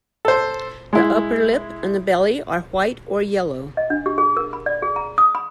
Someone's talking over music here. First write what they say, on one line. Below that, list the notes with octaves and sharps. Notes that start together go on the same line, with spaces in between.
The upper lip and the belly are white or yellow.
A4 C5
G#3 E4
D#5
D4
G4
G#4
A#4
B5
D5
G#4
A#5
D#6
B5